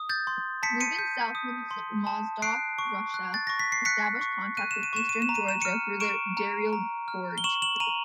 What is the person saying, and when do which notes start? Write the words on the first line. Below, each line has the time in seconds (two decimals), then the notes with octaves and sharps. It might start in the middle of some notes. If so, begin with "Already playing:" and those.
Moving south from Mozdok, Russia established contact with eastern Georgia through the Darial Gorge.
Already playing: D#6
0.09 G6 A6
0.27 C6
0.63 A5 B6 C#7
0.80 C#7 D#7
0.99 G6
1.35 D#6
1.71 C6
2.07 A5
2.42 F#6 C7 D7
2.78 C#6
3.14 F#6
3.34 A6
3.47 C#6 A#6
3.59 B6
3.72 C7
3.85 F#6 B6 C#7
4.21 C#6
4.57 F#6 D#7
4.71 E7
4.83 D#7
4.93 C#6 E7
5.09 D#7
5.22 E7
5.29 A#5
5.35 D#7
5.49 E7
5.62 F6 C#7 D#7
6.00 C#6 D7 E7
6.37 A#5
6.73 A#5
7.08 F6
7.38 G7
7.44 C#6 E7 F#7
7.62 E7 F#7
7.80 A#5 D#7 F7